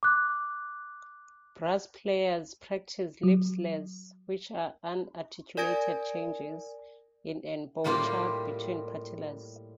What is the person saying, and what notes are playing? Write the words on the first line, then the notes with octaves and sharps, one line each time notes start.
Brass players practice "lip slurs", which are unarticulated changes in embouchure between partials.
D6 F#6
F#3
A#4 D5 G#5 G#6 A#6 D7
A2 G3 A#3 F4 G4